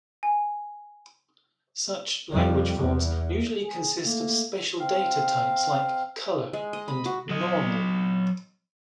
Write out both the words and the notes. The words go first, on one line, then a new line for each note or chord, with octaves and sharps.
Such language forms usually consist of special data types, like "color" and "normal".
G#5
F2 G3
E2
G#4
A3 A#3
C4 F5
G#3
D#5
B5
F#4
F#3 D#5